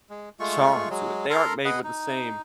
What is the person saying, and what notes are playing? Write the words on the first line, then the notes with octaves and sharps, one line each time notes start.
charm to it. They aren't made with the same
G#3
G#3 A3 F4 C#6
F#3 G#3
A4 A#4 A#5 C6
G#4 B4 D#5 F#5
D#4